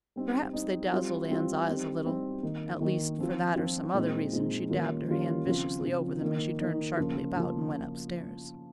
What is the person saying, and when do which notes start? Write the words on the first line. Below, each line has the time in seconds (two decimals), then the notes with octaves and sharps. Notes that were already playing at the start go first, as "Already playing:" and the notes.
Perhaps they dazzled Anne's eyes a little; at least, for that or some other reason she dabbed her hand viciously over them as she turned sharply about and went upstairs.
0.16 G3 C4 D#4
0.53 G3 C4 D#4
0.91 G3 C4 F4
1.29 G3 C4 F4
1.66 G3 C4 D#4
2.05 G3 C4 D#4
2.42 D#3 A#3 D#4
2.81 D#3 A#3 D#4
3.18 F3 C4 F4
3.56 F3 C4 F4
3.94 A#2 G#3 C4 D#4
4.33 A#2 G#3 C4 D#4
4.70 D#3 G3 A#3 C#4 F4
5.08 D#3 G3 A#3 C#4 F4
5.46 C#3 F3 C4 F4
5.83 C#3 F3 C4 F4
6.21 D#3 A#3 D#4
6.60 D#3 A#3 D#4
6.97 C#3 F3 A#3 F4
7.36 C#3 F3 A#3 F4